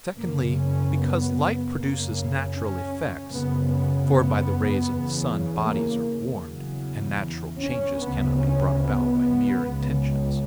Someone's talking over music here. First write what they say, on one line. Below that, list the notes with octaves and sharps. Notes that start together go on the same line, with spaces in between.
Secondly, because light produces natural effects, for by the rays of the sun bodies are warmed, and natural changes cannot be brought about by mere intentions.
F#2 C#3 A#3
C#4
B3
F#2 C#3 A#3
C#4
F#2 C#3 B3
B3
B3
E2 C#3
A#3
E2 C#3 F#3
C#4
D2 C#3 B3
C#4
B3
C#2 C#3